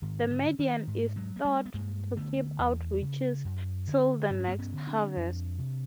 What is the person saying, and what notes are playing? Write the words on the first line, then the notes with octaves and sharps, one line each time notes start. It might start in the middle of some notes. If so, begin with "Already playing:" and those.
The Maiden is thought to keep out witches till the next harvest.
G#2 D#3
D3
D#3
G#2
F#3 G#3
A#3
G3 A3
B3
G2 G#3 A#3
D3 A3 B3
E2
C#3
F#2
D3
G2 C4
C#4
A#3 C4
B3 C#4
D3
C4 D4
F2
C3